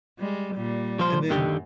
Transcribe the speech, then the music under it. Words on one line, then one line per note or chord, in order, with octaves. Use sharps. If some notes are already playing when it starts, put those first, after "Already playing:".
And then
G3 G#3
A#2 G3
F3 C5
F#2 D3 D#3 G4